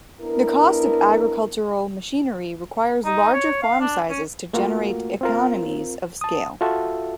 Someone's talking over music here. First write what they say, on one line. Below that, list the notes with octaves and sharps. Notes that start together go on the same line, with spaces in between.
The cost of agricultural machinery requires larger farm sizes to generate economies of scale.
B3 D4 E4 A#4
D#4
C#5
F5
D4
C#4
A3 A#3 F4 F#4 A#4
C4 F4 A#4
A5 D#6
F4 F#4 A4 E5 A5